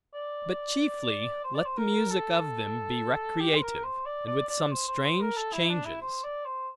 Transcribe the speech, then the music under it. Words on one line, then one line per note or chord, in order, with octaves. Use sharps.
But chiefly, let the music of them be recreative, and with some strange changes.
D5
C5
D5
C5
A#4
A4
G4
C5
A#4
C5
D5
D5
D5
C5
C5
C5
A#4
A4
E4
D4
E4
C5
D5
C5